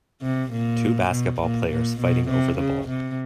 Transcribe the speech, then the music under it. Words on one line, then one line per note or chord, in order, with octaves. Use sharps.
Two basketball players fighting over the ball.
C3
A#2
B2
A#2
A#2
B2
C3
C#3
C3